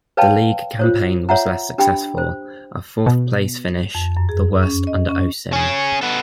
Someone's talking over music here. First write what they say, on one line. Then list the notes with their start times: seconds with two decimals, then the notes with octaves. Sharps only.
The league campaign was less successful - a fourth-place finish, the worst under Osim.
0.17 B4 C#5 F5 G5 A5 B5
0.79 F4 C5 C#5
1.29 C#5 E5 F#5 A#5
1.78 D4 G4 G5 B5
2.18 C5
3.06 B2
3.95 F2
4.17 F#2
4.29 G#4
4.63 C#4
4.87 D#5
5.09 C#4
5.53 C#4 G#4
6.02 B3 A4